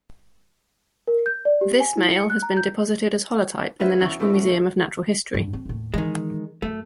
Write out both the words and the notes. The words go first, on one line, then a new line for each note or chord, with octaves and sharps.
This male has been deposited as holotype in the National Museum of Natural History.
A#4
G6
D5
G4
G#5
E4
C#7
F#6
A#5
G6
F4 B4 C5 E5 F#5
E2 C#4 E4 F#4 C#6
A2 A3 B3 C4 D4 E4
C3 F3 A3 C#4 F#4
F3 A3
G2
C4
D#2 A2
D#3 E3 G#3
F#2 A3